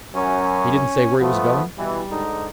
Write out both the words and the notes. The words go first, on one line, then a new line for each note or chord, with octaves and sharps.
"He didn't say where he was going?"
F#2 C#4
F3 A3 B3
B2 E3 G3
G#2 D3 D#4